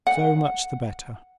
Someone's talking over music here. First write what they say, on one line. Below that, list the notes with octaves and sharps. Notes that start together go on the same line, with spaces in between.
"So much the better."
F#5